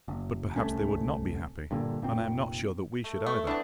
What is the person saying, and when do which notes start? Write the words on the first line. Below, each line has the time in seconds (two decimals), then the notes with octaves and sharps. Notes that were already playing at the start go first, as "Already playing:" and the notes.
But perhaps they would not be happy, and I am not sure that we should either.
0.08 F#1
0.56 D1 C2 A3 C#4
1.71 G2 A#2 D3
2.02 F1 A#2 C4
3.04 A3
3.26 A3 C#5
3.47 E3 B3 C4 D4 A5